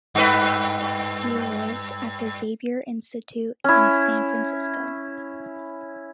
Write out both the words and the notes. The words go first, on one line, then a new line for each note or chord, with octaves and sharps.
He lived at the Xavier Institute in San Francisco.
G2 B4
C#4 E4